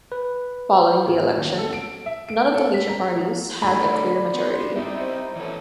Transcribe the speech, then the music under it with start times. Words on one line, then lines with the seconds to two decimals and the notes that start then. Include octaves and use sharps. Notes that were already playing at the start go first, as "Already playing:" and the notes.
Following the election none of the major parties had a clear majority.
0.12 B4
1.06 A1
1.37 D#2
1.58 A4
1.73 D7
2.06 E5
2.29 D7
2.54 A4
2.74 B6
2.89 A#5
3.16 F3
3.62 A2 D3 A3 D4 D#4 D5 B5
4.34 B3 C6
4.76 G3 C4 D#4 E4 G4 E5
4.99 C5
5.36 B2 E3 F#3 A4